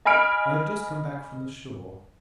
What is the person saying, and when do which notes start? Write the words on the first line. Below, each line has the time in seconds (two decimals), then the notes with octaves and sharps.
I have just come back from the shore.
0.05 D#5 G#5 B5 F6 D7